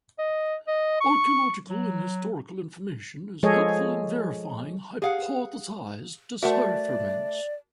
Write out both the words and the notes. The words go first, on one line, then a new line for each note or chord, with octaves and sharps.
Archaeological and historical information is helpful in verifying hypothesized decipherments.
D#5
D#5
C#6
F#3
F3 G#3 G#4 A4 C#5 D#5
G4 G#4 F5 F#5
A3 F#4 A#4 C5 D5 E5 F#5